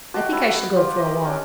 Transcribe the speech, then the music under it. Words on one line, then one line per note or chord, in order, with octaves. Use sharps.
"I think I shall go for a walk."
F#4 G4 D#5 A5
E4 A5
D#5
F4 G4
D#5
C#4 D4